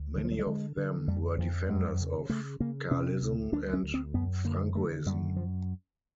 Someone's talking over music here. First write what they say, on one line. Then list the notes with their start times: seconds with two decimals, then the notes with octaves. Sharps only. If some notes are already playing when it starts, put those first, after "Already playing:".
Many of them were defenders of Carlism and Francoism.
Already playing: D2
0.16 D3 E3
0.25 F3
0.31 F#3
0.39 G3
0.46 D3 G#3
0.77 D3
1.07 F2 G3
1.38 F2 F3
1.69 F#2 G#3
2.00 C#3
2.30 C#3 A3
2.60 C#3 A#3
2.91 C3 C#4
3.22 D2
3.52 D2 D4
3.73 C#4
3.83 D2
3.94 C4
4.14 F#2 B3
4.44 D3 A#3
4.75 D3 A3
5.06 F#2 G3
5.36 F3